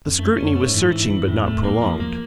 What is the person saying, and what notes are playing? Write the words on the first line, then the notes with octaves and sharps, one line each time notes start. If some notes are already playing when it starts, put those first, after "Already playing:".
The scrutiny was searching but not prolonged.
F2
F#2 A3
C#4
F#2
A3
G#2
E3
G#2 E3
G2 E3
F#2 A2
E2 A3
F2 A#3
F3
E2 A#3